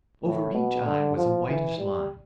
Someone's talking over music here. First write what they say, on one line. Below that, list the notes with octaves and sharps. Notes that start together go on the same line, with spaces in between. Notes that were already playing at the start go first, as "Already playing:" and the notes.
Over each eye was a whitish line.
A2
B2
D3
F3
E3
G3